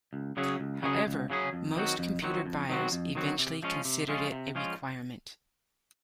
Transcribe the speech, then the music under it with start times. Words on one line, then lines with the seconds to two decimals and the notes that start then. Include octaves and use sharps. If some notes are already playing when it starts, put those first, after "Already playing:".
However, most computer buyers eventually considered it a requirement.
0.13 C#2
0.37 C#3 F#3 C#4 G#4
0.60 C#2
0.82 C#3 F#3 C#4 G#4
1.07 C#2
1.30 C#3 F#3 C#4 G#4
1.53 F2
1.75 D#3 F#3 C4 F#4
1.99 F2
2.22 D#3 F#3 C4 F#4
2.46 F2
2.69 D#3 F#3 C4 F#4
2.92 F2
3.15 D#3 F#3 C4 F#4
3.39 C3
3.63 F3 G#3 C#4 F4
3.85 C3
4.08 F3 G#3 C#4 F4
4.32 C3
4.55 F3 G#3 C#4 F4